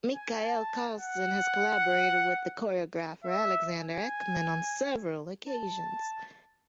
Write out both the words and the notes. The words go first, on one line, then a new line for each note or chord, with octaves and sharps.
Mikael Karlsson has collaborated with the choreographer Alexander Ekman on several occasions.
G#5
A5
F#5
E5
G#5
A5